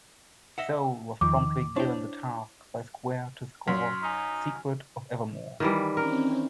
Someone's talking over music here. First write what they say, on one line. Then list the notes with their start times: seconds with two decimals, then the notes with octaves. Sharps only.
Soule was promptly given the task by Square to score "Secret of Evermore".
0.58 D#5 E5 F#5
1.21 E2 D#3 F3 D6
1.76 D4 E4 C5 C#5 G5
3.68 F#2 C6 F6
4.03 D#4 G#5 F6
5.60 D#3 E3 G3
5.97 C4 C#4 A#4